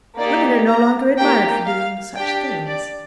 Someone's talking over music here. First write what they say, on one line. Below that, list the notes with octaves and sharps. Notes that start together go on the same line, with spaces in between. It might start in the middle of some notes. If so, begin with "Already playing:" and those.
Women are no longer admired for doing such things.'
A#3 D#4 G4 D5
A#5
A#3 D#4 G4 G5
F5
D4 G4 G5
D5